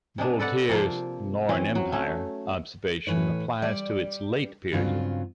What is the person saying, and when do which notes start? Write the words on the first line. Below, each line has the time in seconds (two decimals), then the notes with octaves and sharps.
Voltaire's "... nor an empire" observation applies to its late period.
0.18 C3 G#3 D4
0.39 A4 B4 D5 F#5
0.69 C3 F3 A#3
1.49 E3 C4 C#4
1.75 F#3
1.92 A3 C#4
3.07 A2 E3 B4 C#5
3.62 G3 D5
4.72 G2 C#3 F#3 C4 F4